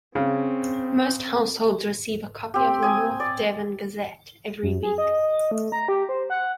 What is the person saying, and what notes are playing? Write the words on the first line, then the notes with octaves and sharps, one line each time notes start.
Most households receive a copy of the "North Devon Gazette" every week.
C#3 C4
C4 G4
G#5 D#6
D5
F#2
G#4
D#5
A3
A#5
G4
C5
F#5